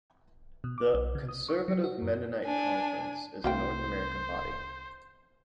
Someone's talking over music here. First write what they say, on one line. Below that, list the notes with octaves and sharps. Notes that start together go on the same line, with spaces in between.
The "Conservative Mennonite Conference" is a North American body.
B2
D6
B1
C#3
D#6
C#6
F#3
F#4
F#2
D4 G#5
C2 A3 F#4 C5 F5 G5